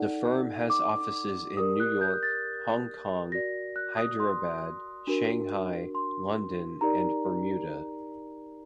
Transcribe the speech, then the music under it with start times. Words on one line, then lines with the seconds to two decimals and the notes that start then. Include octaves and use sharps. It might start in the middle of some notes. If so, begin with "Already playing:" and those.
The firm has offices in New York, Hong Kong, Hyderabad, Shanghai, London and Bermuda.
Already playing: D#4 A4 D5 F#5
0.70 D6
1.57 G4 A#4 D5 D#6
1.80 F#6
2.01 G6
2.23 A6
3.32 F#4 A#4 D5 A#6
3.76 F#6
3.97 D#6
4.20 C6
5.07 D4 F#4 A#4
5.95 C6
6.81 D#4 G4 A#4 D5 A#5